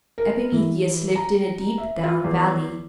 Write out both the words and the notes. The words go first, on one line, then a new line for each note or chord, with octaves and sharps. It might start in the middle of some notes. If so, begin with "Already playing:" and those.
Epimetheus lived in a deep-down valley.
A#4
E3
A#5
E5
F4
E2